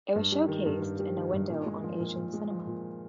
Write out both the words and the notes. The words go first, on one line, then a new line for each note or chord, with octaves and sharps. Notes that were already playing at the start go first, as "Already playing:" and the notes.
It was showcased in "A Window on Asian Cinema".
G2
G3
D#3
G2
G2
G3
D#3
G2
A#2
G#3
F3
A#2
A#2
G#3
F3
A#2